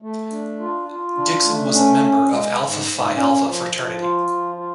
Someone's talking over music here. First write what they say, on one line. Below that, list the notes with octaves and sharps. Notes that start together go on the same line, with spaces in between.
Dixon was a member of Alpha Phi Alpha fraternity.
A3
D4
F4
F4
D4
A3
C#4
C#4
G#3
G#2
G#2
C#4
F3
F3
F4
F3
F4